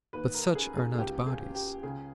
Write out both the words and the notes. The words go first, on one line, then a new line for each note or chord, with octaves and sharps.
But such are not bodies.
D#2 B4
A#4
C#4 G#4
G#4
G#4
C#2 G4
G#4
C#4
G4
C#3 G#4